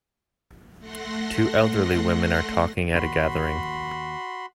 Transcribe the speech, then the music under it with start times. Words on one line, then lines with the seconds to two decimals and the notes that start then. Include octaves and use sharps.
Two elderly woman are talking at a gathering.
0.79 A3 F#5 C6 A#6
2.95 D#2 F#4 B5 C6